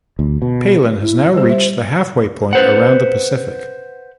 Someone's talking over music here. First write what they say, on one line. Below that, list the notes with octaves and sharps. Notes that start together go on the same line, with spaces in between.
Palin has now reached the halfway point around the Pacific.
D2
B2
E4
G3 G4 C5
E5
B4 C5 F#5